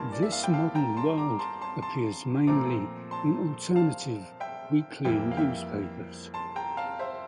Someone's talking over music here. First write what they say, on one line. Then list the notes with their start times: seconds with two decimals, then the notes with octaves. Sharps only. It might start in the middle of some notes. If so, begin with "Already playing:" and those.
"This Modern World" appears mainly in alternative weekly newspapers.
Already playing: G2 E3 A#3 A5 C6
0.12 D5
0.22 E5
0.32 F5
0.44 G5
0.53 F5 A5
0.75 G5 A#5
0.97 A5 C6
1.18 A#5 D6
1.39 A5 C6
1.61 A5 C6
1.82 A5 C6
2.47 A#2 F3 A3 C4 A#5 D6
3.11 A5 C6
3.76 F5 A5
4.40 E5 G5
5.05 F2 E3 G3 A#3 E5 G5
5.31 F5
5.37 E5 G5
6.34 A5 C6
6.56 G5 A#5
6.77 F5 A5
6.99 C5 E5